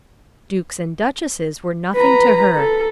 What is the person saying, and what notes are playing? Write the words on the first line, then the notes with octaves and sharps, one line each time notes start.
Dukes and duchesses were nothing to her.
B4 A#5
A4